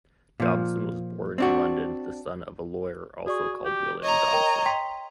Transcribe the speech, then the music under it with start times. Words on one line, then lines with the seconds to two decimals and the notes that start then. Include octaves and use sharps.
Dobson was born in London, the son of a lawyer also called William Dobson.
0.40 A#2 F3
1.38 C4 D4 F#4
3.27 F#4 G#4 D5 C#6
3.65 G4
4.03 C#5 D#5 A#5
4.33 A#4 G5
4.66 G5 C6 B6